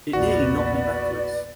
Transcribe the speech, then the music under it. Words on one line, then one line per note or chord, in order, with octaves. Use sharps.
It nearly knocked me backwards.
A#1 E2 F#4 B4 D5